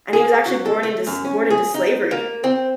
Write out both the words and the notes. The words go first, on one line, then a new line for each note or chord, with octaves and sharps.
And he was actually born into s born into slavery,
G#4
F#4
A4
A3
F#2
C#4
G#4
D#4
A#3
C4